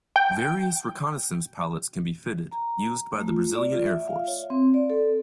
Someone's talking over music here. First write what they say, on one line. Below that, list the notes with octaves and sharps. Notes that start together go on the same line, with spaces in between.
Various reconnaissance pallets can be fitted; used by the Brazilian Air Force.
G5
A#5
A3
F4
D5
F4
E5
F5
C#5
C4
D5
A4